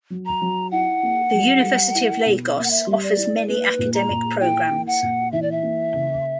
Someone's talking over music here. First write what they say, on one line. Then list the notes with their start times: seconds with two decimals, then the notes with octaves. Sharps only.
The University of Lagos offers many Academic Programs.
0.10 F#3
0.26 A#5
0.42 F#3
0.71 E4 F#5
1.03 A#3
1.34 F#3
1.64 G3
1.95 E4
2.26 B2
2.56 A#3 E5
2.64 F#5
2.71 E5
2.87 G3 E5
3.03 D5
3.18 E4
3.48 A#3 B4
3.79 A#2
3.94 A#5
4.10 A#2
4.40 E4 G5
4.71 A#3
4.87 F#5
5.02 A#2
5.32 E3 E5
5.42 D5
5.52 E5
5.63 A#3
5.94 C#3